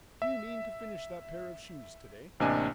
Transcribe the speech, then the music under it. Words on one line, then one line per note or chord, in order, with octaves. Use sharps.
"Do you mean to finish that pair of shoes to-day?"
E5
A1 C3 A#3 D4 D#5 G#5